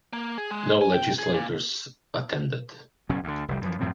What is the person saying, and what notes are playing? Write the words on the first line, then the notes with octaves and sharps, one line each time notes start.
No legislators attended.
A#3
G#4
G#3
G#5
G5
G#4
A#2
F#1 B2 F#3 C#4
D2 D3
F1 C2 G3
F#2 E3 F3
F#2 A2 F3 C4